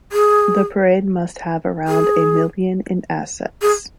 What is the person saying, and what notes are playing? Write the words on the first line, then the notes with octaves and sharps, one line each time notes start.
The parade must have around a million in assets.
G#4
G#4
G#4